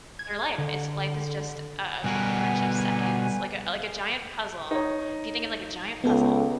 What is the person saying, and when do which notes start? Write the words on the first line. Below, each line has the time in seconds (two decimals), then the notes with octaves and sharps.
They're life, it's life is just a a bunch of seconds like, a like, a giant puzzle. If you think of, like, a giant puzzle
0.19 G#6
0.58 D3
2.04 B2 D3 G3 F#4 A#4 B4 G#5
4.71 D#4 C#5
6.04 C#2 B3 A4